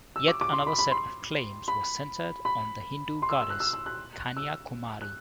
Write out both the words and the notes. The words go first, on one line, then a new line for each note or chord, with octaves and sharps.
Yet another set of claims was centered on the Hindu goddess Kanya Kumari.
E6
D6
D6
C6
B5
B5
C6
B5
B5
C6
E6
E6
F#6
E6
E6
F#6
E6
F#6